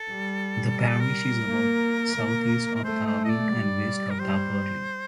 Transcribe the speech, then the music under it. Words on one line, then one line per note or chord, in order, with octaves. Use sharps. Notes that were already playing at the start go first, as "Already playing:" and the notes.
The parish is about south east of Tarvin and west of Tarporley.
Already playing: A4
G3
A#4
A4
A#4
A#3
A#3
A#4
A3 C5
C5
D#5
D5
G3
A#4
G3 C5